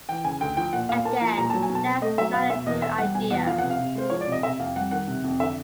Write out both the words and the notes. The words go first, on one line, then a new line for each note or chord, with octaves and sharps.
Again, that's not a new idea.
E3 G5
C#3 G#5
D2 G5
F3 G5
A#2 F#5
A#2 F5
A#3 A5
F3 A#5
A#2 A#5
F#3 A5
G#5
B2
A5
C4
A3 D#5
F#3 E5
B2 F5
B2 E5
E2 D#5
E2 E5
G3 F#5
B2 G#5
E2 F#5
F3 F5
C3 F#5
F5
C3
G#3 C5
F3 C#5
D5
C3 D#5
C3 E5
F2 F5
G3 F#5
D#3 F#5
C3
F2
D3 E5